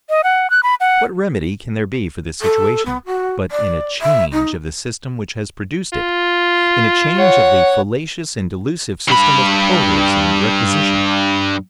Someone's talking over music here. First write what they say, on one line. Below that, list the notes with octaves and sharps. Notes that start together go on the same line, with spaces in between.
What remedy can there be for this situation, but in a change of the system which has produced it in a change of the fallacious and delusive system of quotas and requisitions?
D#5
F#5
F#6
B5
F#5
A4
B3
F#4
D5
E5
D#4
F4
C#5 F#5
G2 B5